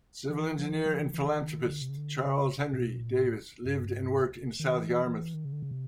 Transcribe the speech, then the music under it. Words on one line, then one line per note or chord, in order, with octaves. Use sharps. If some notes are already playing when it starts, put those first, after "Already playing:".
Civil engineer and philanthropist Charles Henry Davis lived and worked in South Yarmouth.
E3
F3
E3
F3
E3
E3
D#3
D#3
D#3
D3
C3
C#3
D3
C#3
A#2
B2
A#2
A2
G2
G#2
G2
G#2
D#3
E3
E3
D#3
C#3
D3
C#3
C3